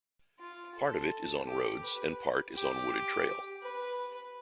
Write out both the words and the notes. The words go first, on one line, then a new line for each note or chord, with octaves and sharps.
Part of it is on roads and part is on wooded trail.
F4
A4
G4
B4
G4
B4